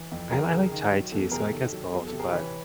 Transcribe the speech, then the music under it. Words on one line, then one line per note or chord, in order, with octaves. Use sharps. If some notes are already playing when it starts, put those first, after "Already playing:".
I li I like chai tea, so I guess both, but
Already playing: E3
F2
F2 G#4 A#4
C#3
D#3
F#3
E2 A4
C3 G#4 A#4
D#3 A4
F#3
E2 G#4
A4
C3
G#4 A#4
E3 B4 C#5